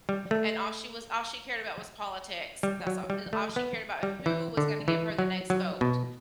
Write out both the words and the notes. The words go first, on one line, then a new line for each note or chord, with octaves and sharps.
and all she was all she cared about was politics, that's a a all she cared about who was gonna give her the next vote,
G3
A3
G3
F#3
G3
A3
B3
G3
E3
D3
E3
F#3
F#3
B2